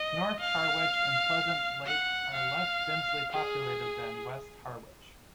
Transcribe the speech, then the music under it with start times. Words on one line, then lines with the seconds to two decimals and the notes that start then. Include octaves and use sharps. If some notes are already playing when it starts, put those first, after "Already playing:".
North Harwich and Pleasant Lake are less densely populated than West Harwich.
Already playing: D#5
0.41 F5
1.87 F#5
2.35 F5
3.33 G#4